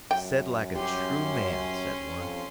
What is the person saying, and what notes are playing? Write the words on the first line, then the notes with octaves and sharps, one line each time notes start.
"Said like a true man," said one.
F#2 G5
C#4 G4 C6
F2